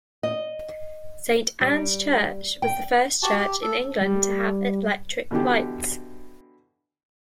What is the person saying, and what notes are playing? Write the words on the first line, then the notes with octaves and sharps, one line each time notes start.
Saint Anne's Church was the first church in England to have electric lights.
D#5
G3
G5
F#4 G4 A5
G4
A4
G3
B2 D3 E3 E4 G4